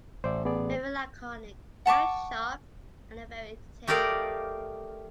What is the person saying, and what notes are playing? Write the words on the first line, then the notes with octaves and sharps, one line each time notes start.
Very laconic, very sharp and very entertaining.
A1 C5 D5 E5
B3 G#4 D5
F#5 A5 C#6 D6
A3 G4 A#4 D5 D#5 F5